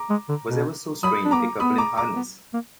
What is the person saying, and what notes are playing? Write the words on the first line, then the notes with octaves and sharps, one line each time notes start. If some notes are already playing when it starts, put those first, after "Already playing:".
Was ever so strange a couple in harness?
Already playing: A#5 D6
G#3
D3
B2
F#3 B5 D#6
D4
B3 A#5 D6
A#3
B3 B5 D#6
A#5 D6
A#5 D6
B3
A#3